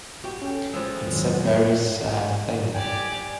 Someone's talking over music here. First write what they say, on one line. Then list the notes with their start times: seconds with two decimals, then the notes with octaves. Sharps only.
It's a very sad thing.
0.24 F#4 G4
0.42 C#4 A4 G5
0.74 F3 G3 G#3 E6
1.06 F2 D#3 F#3
2.75 G4 D5 G5 G#5